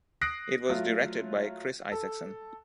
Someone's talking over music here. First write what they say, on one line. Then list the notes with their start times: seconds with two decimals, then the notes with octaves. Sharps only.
It was directed by Kris Isacsson.
0.21 D#6 F#6 A#6 C7 D7
0.70 F#3 A3 F4
1.92 A4